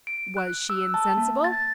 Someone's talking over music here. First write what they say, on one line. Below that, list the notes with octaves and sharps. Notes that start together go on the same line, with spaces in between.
"Was she insensible?"
D7
F#6
E6
A5
A#3
A6